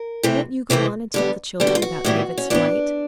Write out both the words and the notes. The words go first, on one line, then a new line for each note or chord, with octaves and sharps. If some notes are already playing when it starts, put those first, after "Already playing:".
"Won't you go on and tell the children about David's flight?"
Already playing: A#4
C3 E3 A3 C4
C3 E3 A3 C4
D3 G3 B3
D3 G3 B3 G4
F#4
F4
F#4
A2 E3 G3 B3
C#4
A2 E3 G3 B3 D4